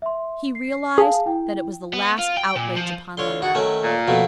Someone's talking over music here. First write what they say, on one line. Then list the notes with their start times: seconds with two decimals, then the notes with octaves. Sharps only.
He realized that it was the last outrage upon Leonora.
0.02 E5 C6
0.55 C7
0.98 G#4 F5 G#5 A5
1.26 E4 G5
1.94 B3
2.19 F4
2.37 G5
2.56 A#2
2.77 F3
3.17 D2 D3 F4 C#5 C6
3.42 D3 F#4 G#4 F#5
3.55 D#3 F#3 A3 C#4
3.83 A#2
4.07 B2 F3 A3